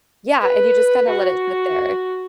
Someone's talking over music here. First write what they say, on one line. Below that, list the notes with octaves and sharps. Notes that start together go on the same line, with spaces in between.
Yeah, and you just, kinda let it sit there.
B4
F#4